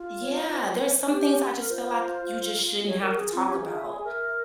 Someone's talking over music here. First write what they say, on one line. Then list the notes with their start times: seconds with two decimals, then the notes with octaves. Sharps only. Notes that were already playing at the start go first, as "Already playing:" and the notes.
Yeah, there's some things I just feel, like, you just shouldn't have to talk about,
Already playing: F4
0.22 C#5
0.52 C5
1.11 G4
1.58 A#4
1.70 F4 C5
2.87 C#5
3.01 A#4
3.16 G#4
3.32 C4 F4
3.46 C#4 G4
3.60 E4 F4 G#4
3.75 E5
3.85 G#4
3.90 G#5
4.04 A#4 E5